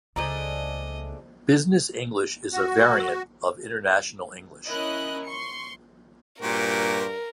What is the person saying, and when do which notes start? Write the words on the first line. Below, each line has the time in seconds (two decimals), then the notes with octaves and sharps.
Business English is a variant of international English.
0.16 C#2 A3 D4 G#4 C5 D5 D#5 A#5
2.53 F#4
4.67 C#4 E4 A#4 D#5 F#6
5.26 C6 C#6 C#7
6.42 G2 A#2 F#4 G4 A#4 C5